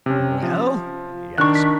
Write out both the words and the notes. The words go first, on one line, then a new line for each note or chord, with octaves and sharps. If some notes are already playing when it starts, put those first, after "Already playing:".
"Well?" he asked.
C3 C#4
F3
D#3 D4 A#4 C#6 F#6
B6